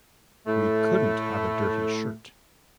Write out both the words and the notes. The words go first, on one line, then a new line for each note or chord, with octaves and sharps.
We couldn't have a dirty shirt.
A2 A3